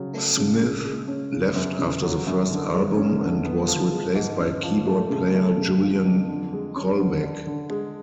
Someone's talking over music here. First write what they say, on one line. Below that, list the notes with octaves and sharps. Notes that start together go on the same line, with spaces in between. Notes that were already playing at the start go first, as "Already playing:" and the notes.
Smith left after the first album and was replaced by keyboard player Julian Colbeck.
Already playing: C#3 F#3
A3
C#3
C#3
G#3
C#4
C#3
F#2
C#3
F#3
F#2
D3
G#3
C#4
D3
B3
F3
G#3
G#2
C#4
F3
A3
C#3
A3
C#3
F3
F2
D3
G#3
C#4
D3
D4
D3
G#3